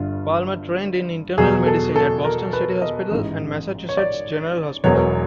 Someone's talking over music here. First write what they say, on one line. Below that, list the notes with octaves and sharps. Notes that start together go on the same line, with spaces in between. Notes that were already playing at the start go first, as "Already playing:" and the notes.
Palmer trained in internal medicine at Boston City Hospital and Massachusetts General Hospital.
Already playing: G1 G2 D3 F4
E2 B2 F#3 G#4
A4
A4
A#4
B4
D#5
A1 G#2 E3
C#5
D5
E1 E2 B2 F#3 C#5